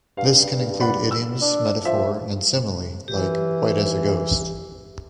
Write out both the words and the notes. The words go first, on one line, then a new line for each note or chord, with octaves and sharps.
This can include idioms, metaphor, and simile, like, white as a ghost.
G2 F5
D5 F#5 B5
E6
D4
F3 E5
E3 G4